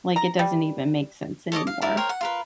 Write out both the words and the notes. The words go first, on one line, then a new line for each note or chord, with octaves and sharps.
Like, it doesn't even make sense anymore."
A#5
G3
A4 C#5 D#5 D6
F5
E4 A#4 D5
A#4 C5 C#5 G5
F#5
F4 A#4 B4